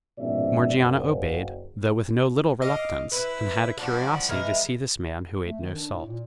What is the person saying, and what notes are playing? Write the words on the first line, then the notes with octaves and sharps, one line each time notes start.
Morgiana obeyed, though with no little reluctance, and had a curiosity to see this man who ate no salt.
A#1 G#2 B2 C#4 D5 E5
F#1
D#5 F5 D6 F6
E4 B4
F3 G3 D4 F#4
E3 G#3 A#4
A3
D#3
D4
A2
A#2